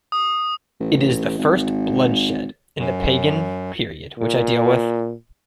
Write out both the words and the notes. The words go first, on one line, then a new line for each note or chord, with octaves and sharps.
It is the first blood shed in the pagan period which I deal with.
D#6
A1
G#1
F#2
A#2